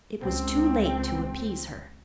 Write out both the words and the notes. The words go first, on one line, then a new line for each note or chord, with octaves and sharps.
It was too late to appease her.
C#2 C4